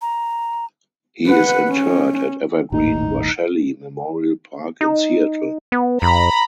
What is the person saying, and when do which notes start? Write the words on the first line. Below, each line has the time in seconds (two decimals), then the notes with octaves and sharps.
He is interred at Evergreen Washelli Memorial Park in Seattle.
0.02 A#5
1.26 B4 F#5
1.69 C#4
2.72 D#1 G#1 A2 D#4
4.81 D#4
5.72 B3
6.02 F2 A#5 B5